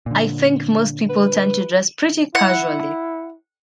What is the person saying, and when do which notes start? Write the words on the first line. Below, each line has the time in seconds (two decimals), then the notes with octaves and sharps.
I think most people tend to dress pretty casually.
0.06 A#2 D3
1.09 B4
2.35 E4 F#5